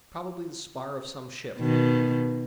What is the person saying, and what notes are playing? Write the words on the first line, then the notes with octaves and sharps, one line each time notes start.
"Probably the spar of some ship."
B2 D#3